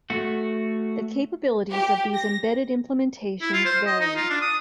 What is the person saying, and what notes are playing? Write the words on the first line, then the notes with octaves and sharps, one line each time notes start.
The capabilities of these embedded implementations varied.
A3 F#4
G4
A#6
E4
F4
C5
D#5
D#4
F4
D4
D#6